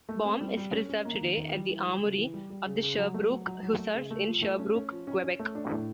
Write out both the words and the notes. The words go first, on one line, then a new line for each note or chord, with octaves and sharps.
"Bomb" is preserved today at the Armoury of the Sherbrooke Hussars in Sherbrooke, Quebec.
A3
C4
G3
G3
C#4
C#4
A#3
D#3
D#3
G3
E3
G3
C#3
E3
G3
G3
C#3
C#3
F#3
A3
F#3
F#3
F#3
A3
C#3
A3
F3
A3
C#4
C#4
F3
C#4
C#4
A3
D4
A2